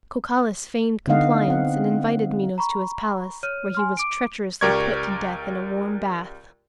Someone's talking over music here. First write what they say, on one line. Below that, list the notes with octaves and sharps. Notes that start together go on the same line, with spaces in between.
Cocalus feigned compliance and invited Minos to his palace, where he was treacherously put to death in a warm bath.
D3 B3 D#4 D#5 F5 F#5
C4 F#5
A#5 B5 C#6
C#5 F6 D#7
G#5 C6 F6
D6 D7
C#2 G4 A#4 D5 C#6 G#6